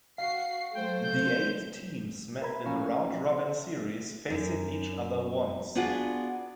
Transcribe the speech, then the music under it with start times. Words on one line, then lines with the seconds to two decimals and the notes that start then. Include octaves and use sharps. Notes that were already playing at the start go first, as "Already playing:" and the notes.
The eight teams met in a round-robin series, facing each other once.
0.18 F#4 F5 C7
0.74 F#3 A3 C5 G5
1.03 G6
2.41 A#4 B4 E5 A#5 B5 G#6
2.66 F3 C#4 F5 G#5 A#5 C#6
3.26 C5 E5
4.30 F#2
5.75 B3 D4 F4 F#4 G#4 F#5